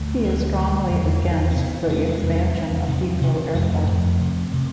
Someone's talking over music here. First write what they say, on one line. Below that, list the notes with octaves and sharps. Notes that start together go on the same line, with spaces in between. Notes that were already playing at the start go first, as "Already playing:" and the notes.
He is strongly against the expansion of Heathrow Airport.
Already playing: D2 A3
D3
D3
E2
E2
C4
C3 B3
C3 A3
G#3
E2
E2
C3
C3
F2 A3
F2
C3
C3